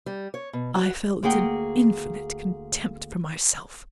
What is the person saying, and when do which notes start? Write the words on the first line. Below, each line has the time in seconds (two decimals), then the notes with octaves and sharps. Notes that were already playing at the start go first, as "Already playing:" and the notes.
I felt an infinite contempt for myself.
0.06 G3
0.34 C#5
0.53 B2
0.75 F#4
1.23 D2 A#3 G#4 F#5 G5